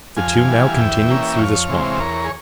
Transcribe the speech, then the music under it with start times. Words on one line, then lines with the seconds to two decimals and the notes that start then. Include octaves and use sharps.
The two now continued through the swamp.
0.17 F2 F5 G#5
0.48 E3 G3
0.78 E2 E5 G5
1.08 E3 A#3 C#4
1.38 F2 C#5 F5
1.69 C3 E3 G#3 C4
1.99 E2 A#4 C#5
2.24 G#4